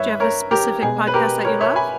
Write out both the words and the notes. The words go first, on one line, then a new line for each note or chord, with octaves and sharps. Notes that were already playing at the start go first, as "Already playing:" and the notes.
Do you have a specific podcast that you love?
Already playing: G2 D#3 G3 B4 C#5 E5
A#4 C#5
G4 A#4
B2 G#3 B3 G#4
B4
G4 A#4
A#4 C#5
C#5 E5
G#5 B5